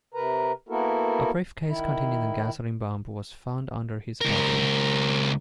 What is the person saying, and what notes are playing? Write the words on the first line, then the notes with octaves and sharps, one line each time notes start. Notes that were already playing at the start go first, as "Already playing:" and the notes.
A briefcase containing the gasoline bomb was found under his body.
C3 A#4 B4 A#5
A#3 B3 E4 F#4 A4 A#4
D#3 E4
C#2 A#4